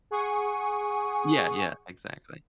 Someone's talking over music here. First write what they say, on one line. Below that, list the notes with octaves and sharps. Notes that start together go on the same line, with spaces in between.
Yeah, yeah, exactly.
G#4 F#5 C#6 D#6